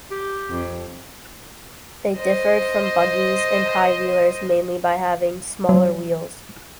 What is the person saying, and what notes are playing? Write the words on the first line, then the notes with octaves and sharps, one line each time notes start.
They differed from buggies and high wheelers mainly by having smaller wheels.
G4
F2
C5 D#5
F#3